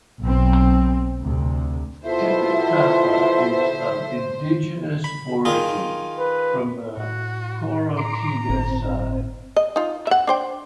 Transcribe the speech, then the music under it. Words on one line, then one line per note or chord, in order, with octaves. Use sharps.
Tipitapa is of indigenous origin, from the Chorotega side.
B1 C4
D2 C3
B2 E4 F4 A4 C5 E5
B5
D#3 F4 G#4
B4
A2 F#4
A#5 C6 D6
G1 C4
D#5
D#4 F4
E5 F#5
D4 C5 G5